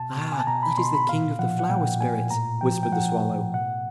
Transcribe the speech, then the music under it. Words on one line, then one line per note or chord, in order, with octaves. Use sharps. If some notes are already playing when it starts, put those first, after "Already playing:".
'Ah, that is the king of the flower-spirits,' whispered the swallow.
Already playing: B2 A5
B2
G#5
A5
B2 A#5
B5
B2 C6
B5
A#2 F5
F3 F#5
F#5
A#2 G5
A#2 G#5
A2 A#5
F3 G5
G5
F3 F#5
A2
B2 F#5